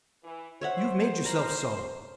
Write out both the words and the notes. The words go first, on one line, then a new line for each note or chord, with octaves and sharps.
You've made yourself so.
E3
C5 C#5 E5 F#5
A#4 A#5 B5